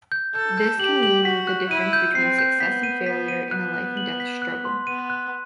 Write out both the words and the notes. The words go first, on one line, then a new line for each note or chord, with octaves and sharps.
This can mean the difference between success and failure in a life-and-death struggle.
G6
A4 G6
G6
G4 F#7
F#7
F#4 B6
F#6
E4 D#7
G6
C4 C7
G6
B3 B6
D#7
B3 B6
D#7
B3 F#6
F#6
F#7
B6
F#6
C6
B3 D#7
F#6